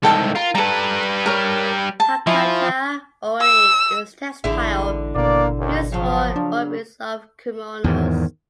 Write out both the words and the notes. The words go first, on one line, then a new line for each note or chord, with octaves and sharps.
Hakata ori is a textile used for obis of kimonos.
C2 G#2 A4 G5 A5
F4 A#4
G3 A4 B4 A#5
A#4 C#5
A5
F3 E4 G#5 C#6
E6
A1 D3 G#3 E4
G#1 B2 A#3 D4 D5
D#2
C#3 F3 F#3
D4
E2 G#2 D#3